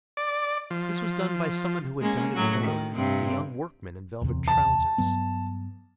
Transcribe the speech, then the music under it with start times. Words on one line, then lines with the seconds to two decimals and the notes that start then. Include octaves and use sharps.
This was done by some one who had darted forward,--the young workman in velvet trousers.
0.17 D5
0.71 F3
2.01 G#3 A#3 C#4
2.34 A2 F#3 F#4
2.64 D#3
2.95 G2 C3 C4
4.21 D1 E2 C3
4.48 A5
4.98 G2 F#3 B3